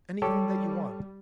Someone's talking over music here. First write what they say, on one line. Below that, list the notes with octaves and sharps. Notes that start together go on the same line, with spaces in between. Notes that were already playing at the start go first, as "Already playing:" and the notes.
Anything that you want.
G3 G4 A4 C#5